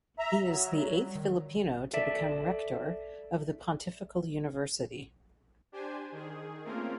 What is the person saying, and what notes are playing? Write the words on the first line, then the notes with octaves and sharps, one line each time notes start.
He is the eighth Filipino to become rector of the pontifical university.
E5 A#5
F#3
G3
D#3
A4 D5 E5
D4 G4 C5 G#5
D#3 G#4
A3 A#3 C4 C#4 F4 A#4